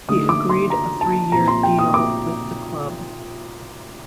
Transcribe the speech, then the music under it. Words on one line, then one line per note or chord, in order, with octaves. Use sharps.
He agreed a three-year deal with the club.
D3 A3 D#4 D#6
D6
C6
A#5
A5
A#2 F3 C4 A#5
C6
G5
D#6
D6